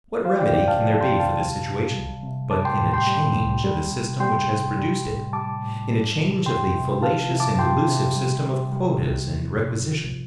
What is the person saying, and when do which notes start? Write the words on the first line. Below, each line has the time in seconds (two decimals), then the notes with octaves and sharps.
What remedy can there be for this situation, but in a change of the system which has produced it in a change of the fallacious and delusive system of quotas and requisitions?
0.25 F3 C5 F5
0.40 D5 G5
0.53 C3 D5 G5
0.68 F5 A5
0.81 F3
0.93 A5
1.01 G5 C6
1.09 C3
1.20 F5 A5
1.38 G3
1.66 C3
1.95 G3
2.23 C3
2.51 G3 A5 D6
2.65 G5 C6
2.79 A2
2.93 G5 C6
3.07 G3
3.36 A2
3.64 G3
3.92 C3
4.20 G3 G5 C6
4.49 C3
4.77 G3
5.05 A2
5.33 G3 A5 D6
5.62 A2
5.90 G3
6.18 C3
6.46 G3 G5 C6
6.74 C3
7.02 F3 F5 A5
7.31 C3
7.40 A5 D6
7.59 F3 G5 C6
7.87 C3
8.15 G3
8.44 C3
8.72 G3
9.00 C3
9.29 F3
9.56 C3
9.84 F3